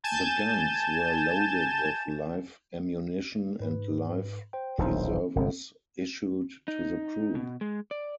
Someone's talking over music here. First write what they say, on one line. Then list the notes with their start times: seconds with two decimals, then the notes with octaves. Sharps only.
The guns were loaded with live ammunition and life preservers issued to the crew.
0.04 G#5 A5 G6 A6 E7
3.60 G#2 B4
4.53 C5 G5
4.78 D#1 B1 D4 D#4 C5
5.36 G1 C3 G#3 C4
6.68 D#4
7.35 B2
7.61 G#3
7.91 D5